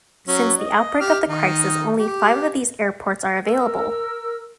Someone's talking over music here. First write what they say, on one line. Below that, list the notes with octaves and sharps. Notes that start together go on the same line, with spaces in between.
Since the outbreak of the crisis, only five of these airports are available.
F#3 C#4
D#5
G4 F6
D#3 D#4
G4
A#4 E6